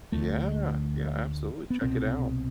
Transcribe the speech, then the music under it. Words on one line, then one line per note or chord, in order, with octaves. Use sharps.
Yeah, yeah, absolutely, check it out.
D2 D3 A3
B3
C2 B2 C4